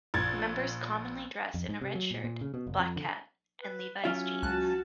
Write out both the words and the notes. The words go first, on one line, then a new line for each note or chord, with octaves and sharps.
Members commonly dress in a red shirt, black hat and Levi's jeans.
A#1 G#6 A6
F2
G#2
C3
F#3
A#2
A#2
C#3
B2
F#1
F2
D3
B4
F#3 C#4 F4 E5
C#2 F#4 A5 F#6